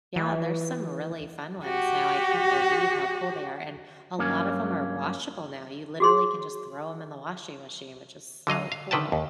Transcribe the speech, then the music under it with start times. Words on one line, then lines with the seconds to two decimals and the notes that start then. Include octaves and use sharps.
Yeah, there's some really fun ones now, I can't believe how cool they are, and a lot of 'em are washable now; you literally can just throw 'em in the washing machine, which is so cool.
0.16 E3
1.64 F#4 G4
4.19 G2 F#3 A#3 C#4
6.00 F#4 G#4 C6
8.47 D3 F#3 D#5 F5
8.72 F5
8.91 D3 D#3 B4 G5 A5
9.12 D#2